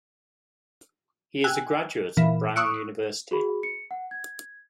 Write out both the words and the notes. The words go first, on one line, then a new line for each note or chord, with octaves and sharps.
He is a graduate of Brown University.
G5 G#5 E6 F#6
A#2 E3
C#6 D#6 E6 F#6 C#7 D7
F#4 G#4 B5
C#7
F#5
G#6